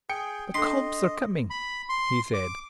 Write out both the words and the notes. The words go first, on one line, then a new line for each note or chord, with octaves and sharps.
'The cobs are coming!' he said.
G#4 G5 C#7
D4 A4 D#5 C6
B5
C6
D6